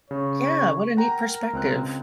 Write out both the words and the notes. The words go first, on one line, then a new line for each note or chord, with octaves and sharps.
yeah, what a neat perspective.
C#3 C#5
A#4 F#5 G5 A#5
C#2 C4 F#6